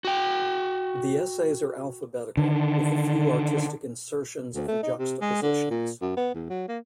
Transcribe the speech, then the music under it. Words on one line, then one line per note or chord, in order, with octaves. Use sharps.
The essays are alphabetical, with a few artistic insertions and juxtapositions.
F#4 G5
D3 D#3
D2
A3
D#4
C3
G#3
D3
A#2
F#2
B3
E2
F#3
A#3